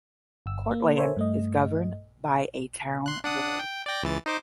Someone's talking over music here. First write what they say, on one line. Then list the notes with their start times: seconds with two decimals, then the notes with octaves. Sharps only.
Cortlandt is governed by a town board.
0.46 G1 E6
0.71 A#3
0.96 A4 A#4 C5 C#5 E5 G#5
1.17 G2 A3 D#5
3.06 C6 F#6
3.24 D4 F#5 D#6
3.59 G5
3.86 D5 G5 A#6
4.03 C#2 E3 A6
4.26 D#4 C5 D6